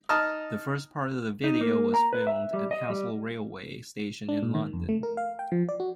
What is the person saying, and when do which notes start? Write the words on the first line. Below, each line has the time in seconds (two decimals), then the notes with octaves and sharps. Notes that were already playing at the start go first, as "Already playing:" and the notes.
The first part of the video was filmed at Hounslow railway station in London.
0.09 D#4 A5 A#5 D#6 F6
1.44 D#4
1.61 A#3
1.94 A#5
2.13 B4
2.27 E5
2.53 G3
2.71 D#5
2.90 G3
4.29 D4
4.43 A#2
4.55 D#3
4.73 F2
4.89 A3
5.03 A#4
5.17 F5
5.39 G5
5.52 F3
5.69 D5
5.80 F#4